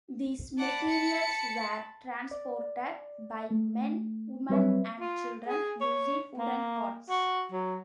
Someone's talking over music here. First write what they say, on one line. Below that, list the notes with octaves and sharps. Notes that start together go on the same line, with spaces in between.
These materials were transported by men, women, and children using wooden carts.
D5 F#5 A5 B5
C#7
D5
A3
F#3 G3 C4 B4 C#5 E5
F4
G#4
C#5
A#3
F#4
F#3